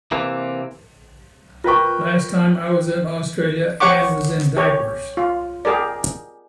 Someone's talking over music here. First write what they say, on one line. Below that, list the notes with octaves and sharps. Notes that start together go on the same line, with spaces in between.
Last time I was in Australia Anne was in diapers.
C3 E3 A#3
F4 A#4 B4 G5 C#6
G4 C#5 F#5 C#6 D6
G4 C#5
F4
G4 G#4 A#4 D5